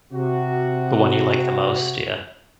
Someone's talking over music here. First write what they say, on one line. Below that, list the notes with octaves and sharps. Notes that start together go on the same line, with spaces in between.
The one you like the most, yeah.
C3 F#4